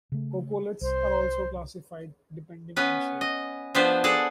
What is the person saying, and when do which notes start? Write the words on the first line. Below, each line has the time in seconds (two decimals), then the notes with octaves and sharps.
Coccoliths are also classified depending on shape.
0.12 C#3 A3
0.81 C2 C5
2.76 B3 C#4 B4
3.21 D#5
3.75 F3 B3 D4 B4 C5
4.04 G#4 A4 D5 F#5